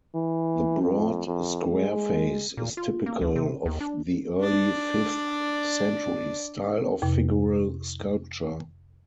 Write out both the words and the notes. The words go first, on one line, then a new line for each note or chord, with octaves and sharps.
The broad square face is typical of the early fifth-century style of figural sculpture.
E3
F2
F2
G#3
A#2
F4
A#3
D2
C3
D#2
D4
D4 D5
F2 C3